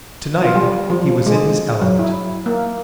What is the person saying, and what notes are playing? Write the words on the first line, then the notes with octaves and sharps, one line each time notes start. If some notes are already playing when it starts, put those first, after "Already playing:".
To-night he was in his element.
F4
G3
F3
G#3
F#3
E4
A#3